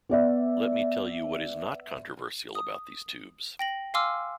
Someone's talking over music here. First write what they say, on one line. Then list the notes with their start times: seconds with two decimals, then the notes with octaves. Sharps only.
Let me tell you what is not controversial about these tubes.
0.09 B3 D5 E5
2.55 D#6
3.59 G5 A#6 F#7
3.94 F5 G#5 C6 D6 E6 F6